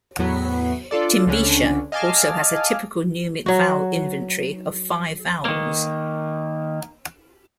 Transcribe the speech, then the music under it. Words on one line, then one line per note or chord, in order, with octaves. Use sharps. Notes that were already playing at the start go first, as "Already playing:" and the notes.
Timbisha also has a typical Numic vowel inventory of five vowels.
E2 A2 F#3 B3
D4 F4 A4 D5
C#2 D3 C#4 D4
D#5 F5 G#5 A5 D6 F6
F#3 F#4
D#3 A#3